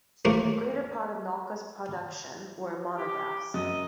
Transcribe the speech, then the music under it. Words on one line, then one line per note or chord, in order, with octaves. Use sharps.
The greater part of Nauka's production were monographs.
A2 F3 A3 A#3
G4
F#2 D#5